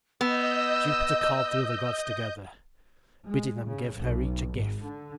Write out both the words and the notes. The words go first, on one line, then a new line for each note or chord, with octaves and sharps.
Jupiter called the other gods together, bidding them give her each a gift.
B3 D#5 E6 G6
G#3
C#3
B1
G#1
D3